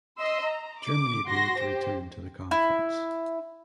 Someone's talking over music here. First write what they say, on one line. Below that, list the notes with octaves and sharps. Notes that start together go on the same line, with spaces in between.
Germany agreed to return to the conference.
D#5 C6 E6
A#5
D6
F#4 C6 A#6
G4 C5
E4